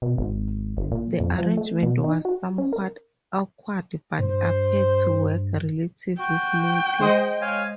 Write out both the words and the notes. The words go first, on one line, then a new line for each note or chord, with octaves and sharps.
The arrangement was somewhat awkward but appeared to work relatively smoothly.
B2
G#1
G1
A#2
F2
F3
A3
B2
D#4
F#4
C#4
A#4
G2 C5
F#4 G5
G#3 C5 D#5
C#5 F5 G#5